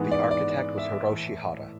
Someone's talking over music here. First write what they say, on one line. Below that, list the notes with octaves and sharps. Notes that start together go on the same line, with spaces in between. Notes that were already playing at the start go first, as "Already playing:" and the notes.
The architect was Hiroshi Hara.
Already playing: G#2 E3 B3
D5
D5
D5
E5
A2 E3 A3